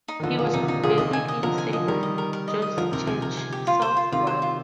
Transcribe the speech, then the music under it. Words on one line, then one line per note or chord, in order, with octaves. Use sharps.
He was buried in Saint George's Church, Southwark.
D#4
D#3
D3 F3 D#4
A#2 D3 G#4
C3 D#4
D3
C3 D#4
A#2 D3 G#4
C3 D#3 D#5
G#5
D#5
D3 F3 A#4
G#5
F3 D#5
D#3 G3 A#4
D#5
A#4
A#4
D#5
D#6
D3 F3 A#4
C3 D#3 A#4
C3 G#5
C3 A#4
G#5
G4
F4
C5
F4
C3 D#3 F4
C5
F4